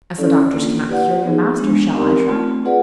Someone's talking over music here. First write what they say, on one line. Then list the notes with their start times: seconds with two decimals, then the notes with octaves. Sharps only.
As the doctors cannot cure your master shall I try?'
0.18 C#4 E4 A4 D5
0.53 A#3 D4 F4
0.89 E4 G4 B4 D5 F#5
1.24 B3 D#4 G#4
1.58 G#3 B3 D4
1.95 C4 D#4 G4 A#4 D5
2.29 A3 C4 F4
2.65 F4 G#4 B4 D5 F#5